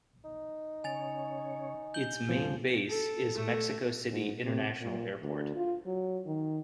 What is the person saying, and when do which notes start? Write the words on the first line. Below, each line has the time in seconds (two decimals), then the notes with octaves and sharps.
Its main base is Mexico City International Airport.
0.24 D#4
0.84 C#3 C#5 G#5 A6 F7
1.94 G6 F#7 G7
2.29 F1 C3 F3 G3
2.88 A4
3.35 A3
4.10 G#2
4.43 C3
4.81 A#2
5.22 D2
5.56 F4
5.86 F#3
6.26 D#3